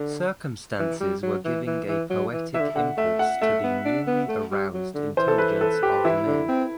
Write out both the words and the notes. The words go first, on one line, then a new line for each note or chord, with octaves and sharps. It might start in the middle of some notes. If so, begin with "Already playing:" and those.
Circumstances were giving a poetic impulse to the newly-aroused intelligence of men.
Already playing: D3
E3
G3
F#3
E3
E3
E3
F#3
E3
E3 E5
D3
D3 F#5
A3 E5
F#5
A3 E5
B3
D4
B3
A3
G3
F#3
D3
E3 C5
A4
B4
A4
G4
E3 E4
D3
C4